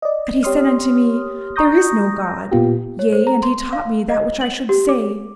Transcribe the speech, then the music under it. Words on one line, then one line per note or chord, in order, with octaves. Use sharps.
And he said unto me: There is no God; yea, and he taught me that which I should say.
D5 D#5
G4 C#5 C6 D#6 F6
A#5 C#6 D#6 G6 A#6
A#2 A#3 B3 F4 G4
C#5
C5
A#5
C6
F5
D#5
F#7
G4
D6